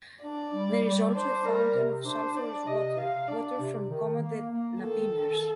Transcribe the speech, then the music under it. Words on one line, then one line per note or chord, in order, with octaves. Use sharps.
There is also a fountain of sulfurous water, water from Coma de Nabiners.
D4 D5
G3
G3
D4 C5
G3 A#4
C3
D4 C5
D4 D5
C3 D#5
C3 F5
D4 D5
C3
D#3
A#3
A#3
D#3 A4
D#3